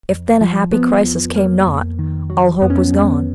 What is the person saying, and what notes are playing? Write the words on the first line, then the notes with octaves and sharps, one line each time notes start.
If, then, a happy crisis came not, all hope was gone.
F2
F3
F3 B3
F2
F2 A#3
F2
D#3
F#3
F2 B3
C#4
B3
F2